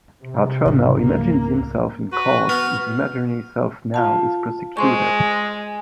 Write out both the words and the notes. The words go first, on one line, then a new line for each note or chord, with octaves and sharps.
Arthur now imagines himself in court, his imaginary self now his prosecutor.
C3
C#2 G#2
A#3
F#4 B4
B3 F6
F4 F5 A5
G#3 C5 C6 C#6